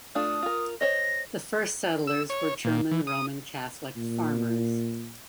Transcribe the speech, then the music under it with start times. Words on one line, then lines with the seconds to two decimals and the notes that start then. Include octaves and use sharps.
The first settlers were German Roman Catholic farmers.
0.15 A3 D4 F4 D#6
0.42 F4 A#4
0.81 C5 C#5 D#5 A#6
2.07 E6
2.29 C#5
2.65 A#2
2.91 E3
3.07 D#6
3.96 A#2